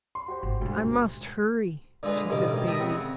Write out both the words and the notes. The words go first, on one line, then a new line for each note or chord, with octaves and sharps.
"I must hurry," she said faintly.
C6
F#4 G4 C5
G#1
D2 B2 G#3
D3 G#3 F4 G#4 B4
A1 G2 B2 D3 D6
D#3
D#5 E5 G5 A5 B5 D#6
C#3 C4 F#5